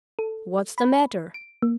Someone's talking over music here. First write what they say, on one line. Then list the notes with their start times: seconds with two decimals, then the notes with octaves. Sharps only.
What's the matter?'
0.19 A4
0.78 B5
1.34 D7
1.62 A#3